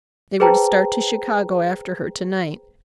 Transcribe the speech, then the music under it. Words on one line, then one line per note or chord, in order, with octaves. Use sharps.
They were to start to Chicago after her to-night.
G#4 B4 C5 G5 A5 A#5